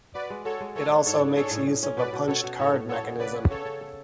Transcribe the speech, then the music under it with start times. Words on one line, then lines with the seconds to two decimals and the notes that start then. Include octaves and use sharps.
It also makes use of a punched card mechanism.
0.14 F#4 B4 D5
0.30 G#3
0.45 F#4 A4 C#5
0.60 G#3
0.76 A3 A4 C#5
0.90 D4
1.05 G#2 A4 C#5
1.21 D4
1.36 G#4 A4 C#5
1.51 A2
1.67 A2
1.83 C#4
1.97 B2 B4 D5
2.13 B2
2.27 B2 A4 C#5
2.44 B2
2.58 A2 A4 C#5
2.74 A2
2.89 B3 A4 C#5
3.04 B3
3.19 C#3 B4 D5
3.35 C#4
3.50 C#3 A4 C#5
3.65 C#3
3.81 A4